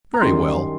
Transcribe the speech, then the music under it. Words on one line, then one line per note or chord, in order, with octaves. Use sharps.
"Very well."
A#5
F#2 D#3 G3 C6